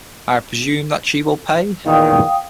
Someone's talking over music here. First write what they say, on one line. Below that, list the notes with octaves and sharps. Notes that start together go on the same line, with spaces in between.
I presume that she will pay.
E2 A#2 D#3 F5 G5 D#6